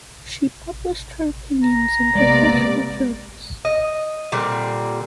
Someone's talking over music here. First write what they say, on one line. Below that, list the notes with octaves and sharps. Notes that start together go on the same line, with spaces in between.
She published her opinions in professional journals.
A#5
C3 G#3 A#3 B3 D5
D#5
A#2 D3 G3 C4